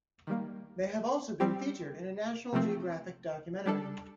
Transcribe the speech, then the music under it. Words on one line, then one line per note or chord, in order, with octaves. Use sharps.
They have also been featured in a National Geographic documentary.
D#3 G3 A#3
G3 C4 G4
C3 F3 A3 C4
G3 D4 A4